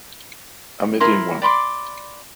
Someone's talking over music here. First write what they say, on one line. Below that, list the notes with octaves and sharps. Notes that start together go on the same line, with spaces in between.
A middling one?
E4 A#4 C6
D5 B5 C6 D6